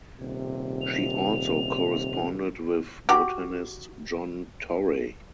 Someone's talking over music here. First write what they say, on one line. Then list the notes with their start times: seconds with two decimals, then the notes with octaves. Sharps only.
She also corresponded with botanist John Torrey.
0.20 D#1 C3
0.81 F7
3.09 F#4 G4